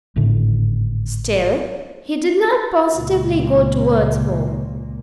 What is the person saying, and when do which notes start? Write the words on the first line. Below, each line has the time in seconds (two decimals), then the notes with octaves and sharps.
Still he did not positively go towards home.
0.16 G#1 A2 D3
2.95 C#2 A#2